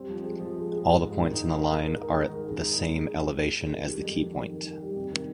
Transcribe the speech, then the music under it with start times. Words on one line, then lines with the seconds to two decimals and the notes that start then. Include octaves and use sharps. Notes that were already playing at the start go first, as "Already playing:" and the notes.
All the points on the line are at the same elevation as the keypoint.
Already playing: G3 C4
0.09 F3
0.24 G#3
0.39 F3
0.56 G#3
0.72 G#3
0.87 G#3
1.03 G#2
1.18 D#3
1.34 D#4
1.50 A#4
1.66 A#4
1.82 A#4
1.97 A#4
2.13 G#3
2.29 D#3
2.44 G#3
2.60 D#4
2.76 G#3
2.91 G#3
3.07 G#3
3.23 G#3
3.38 G#3
3.55 G#4
3.69 D#3
3.86 G3
4.01 F2
4.17 F2
4.32 D#3
4.48 D#3
4.65 D#3
4.80 G3
4.96 C3
5.11 D#3